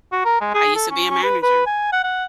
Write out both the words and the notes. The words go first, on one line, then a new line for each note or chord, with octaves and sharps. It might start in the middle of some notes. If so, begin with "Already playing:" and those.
I used to be a manager,
F#4
A#4
G#3
G#4
A4
C#4
C#4
B4
B4
G#5
F#5
F#5